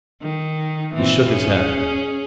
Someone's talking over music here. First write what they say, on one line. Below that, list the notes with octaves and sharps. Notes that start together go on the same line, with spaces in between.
He shook his head.
D#3
A#2 E3 C4
C#4 G#4